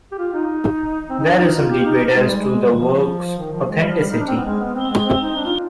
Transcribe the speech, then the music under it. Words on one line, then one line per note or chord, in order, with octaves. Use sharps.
There is some debate as to the work's authenticity.
G4
F4
D#4
C4
D#4
D4
D#4
F4
G4
D#4
G#3
G3
G#3
G3
D#3
F3
F3
D#3
F3
G#3
G3
F3
G3
D#4
D4
C4
B3
G#3
B3
C4
G#3
C4
D#4
D4
F4